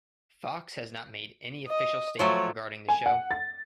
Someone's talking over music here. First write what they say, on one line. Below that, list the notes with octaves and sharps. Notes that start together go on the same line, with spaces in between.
Fox has not made any official statement regarding the show.
D#5
F3 F#3 A3 C#5
G#5
F#5
A6